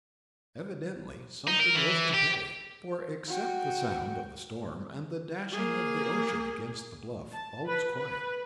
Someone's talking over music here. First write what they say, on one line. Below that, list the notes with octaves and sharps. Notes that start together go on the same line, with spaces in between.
Evidently something was to pay, for, except the sound of the storm and the dashing of the ocean against the bluff, all was quiet.
D#4
A#4
E3
G4
F#4 G5
A#3 G#4
A5
B4
B4